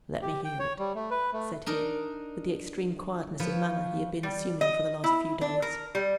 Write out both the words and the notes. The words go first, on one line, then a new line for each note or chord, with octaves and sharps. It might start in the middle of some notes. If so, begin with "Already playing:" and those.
'Let me hear it,' said he, with the extreme quietness of manner he had been assuming for the last few days.
G4
G5
C#5
G3
A3
B4
A3
D4 D#4 A#4
F3 B4 C#5
G3
D#5
E4
D4
A#4
G3